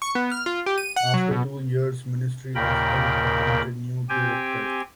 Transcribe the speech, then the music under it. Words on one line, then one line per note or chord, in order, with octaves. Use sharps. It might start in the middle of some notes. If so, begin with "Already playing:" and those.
After two years ministry of health appointed new director.
C#6
B3
F6
F4
G4
D#7
F#5
F#3
B2
D#2 A#2 C#3 A#4 G5 B5
C4 G4 G5 G#5